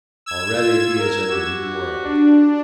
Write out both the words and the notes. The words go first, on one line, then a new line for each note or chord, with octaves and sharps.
Already he is in a new world.
E6 G#6 E7
F4
A#4
F#4 G4
D4